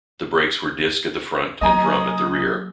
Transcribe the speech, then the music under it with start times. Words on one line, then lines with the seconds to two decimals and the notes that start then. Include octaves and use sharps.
The brakes were disc at the front and drum at the rear.
1.61 F#3 A#3 D#5 G#5 A#5 D#6